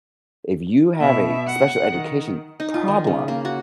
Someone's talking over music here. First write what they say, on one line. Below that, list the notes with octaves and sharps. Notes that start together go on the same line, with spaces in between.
If you have a special education problem,
B2 E5
F#5
D#3
D#4
F4
D#3
C#3
A#3
F#4